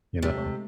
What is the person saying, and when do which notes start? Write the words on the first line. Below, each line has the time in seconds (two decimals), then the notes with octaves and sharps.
you know?
0.22 C3 G#3
0.35 A3
0.47 G#3